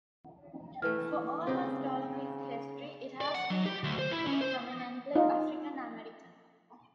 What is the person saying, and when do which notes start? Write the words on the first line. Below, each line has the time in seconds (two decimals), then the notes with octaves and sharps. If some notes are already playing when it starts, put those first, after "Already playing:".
For almost all of its history, it has been predominantly African-American.
0.82 E3 A3 B4 F6
1.47 C#3 C4 D#4 G4
3.21 D5
3.35 F#5
3.50 F#3
3.66 G4
3.83 D2
3.99 C5
4.11 E4
4.27 C#4
4.41 C5
5.15 D#4 F4